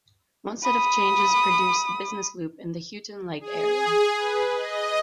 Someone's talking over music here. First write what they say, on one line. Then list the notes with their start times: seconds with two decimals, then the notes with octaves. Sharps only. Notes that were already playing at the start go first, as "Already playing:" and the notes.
One set of changes produced a business loop in the Houghton Lake area.
0.63 B5 D#6
3.40 G#4
4.17 B4
4.55 D#5